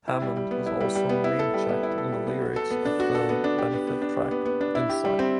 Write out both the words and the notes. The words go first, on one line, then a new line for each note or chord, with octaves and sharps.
Hammond is also namechecked in the lyrics of the "Benefit" track, "Inside".
E4
G3
G3
B3
E4
G3
G3
B3
E4
A4
G3
B3
E4
A4
G3
B3
F#4
A4
B3
D4
F#4
A4
B3
D4
G4
B3
B3
D4
G4
B3
B3
D4
E4
G4
G3
C4